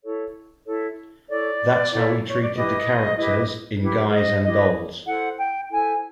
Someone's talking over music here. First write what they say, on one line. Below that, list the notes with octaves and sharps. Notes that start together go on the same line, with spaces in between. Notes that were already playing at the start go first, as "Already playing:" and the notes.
That's how we treated the characters in "Guys and Dolls".
E4 A4 C#5
E4 A4 C#5
E4 A4 C#5 D5
E4 A4 C#5
C#5
D5
E4 G4 B4 D#5
E4 G4 B4
E4 G4 B4
D#5
E4 G4 B4 D#5
E4 A4 C5 F#5
G5
E4 A4 C5 G#5